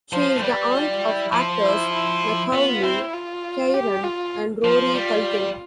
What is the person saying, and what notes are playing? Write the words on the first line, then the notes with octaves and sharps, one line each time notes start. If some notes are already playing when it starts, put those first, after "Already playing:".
She is the aunt of actors Macaulay, Kieran, and Rory Culkin.
F3 C5
A3
G3 B4
F4
E4
F3
E4
E4
E4
B3 F4
C4 E4
F4
G4
F4
F3 F4
G3